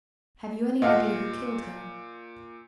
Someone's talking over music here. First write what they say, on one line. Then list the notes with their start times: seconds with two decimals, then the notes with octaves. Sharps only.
"Have you any idea who killed him?"
0.82 A#2 D#5 F5 F#5